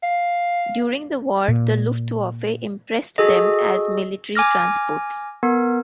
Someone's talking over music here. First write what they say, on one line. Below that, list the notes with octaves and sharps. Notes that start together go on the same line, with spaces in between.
During the war, the "Luftwaffe" impressed them as military transports.
F5
A#2
F#4 G#4 A4 D#5
G#5 D6 F6 A#6
B3 A#4